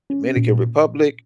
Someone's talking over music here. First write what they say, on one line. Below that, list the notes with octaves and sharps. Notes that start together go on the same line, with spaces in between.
Dominican Republic,
C#4
A#2